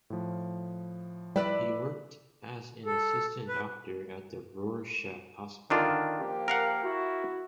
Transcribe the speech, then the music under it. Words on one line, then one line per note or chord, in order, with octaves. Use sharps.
He worked as an assistant doctor at the Rorschach Hospital.
A2 F3
G3 E4 B4 D5
A4
B4
D3 D#3 D4 F4
F3 A#3 G4
A#4 F5 F#5
E4 F#4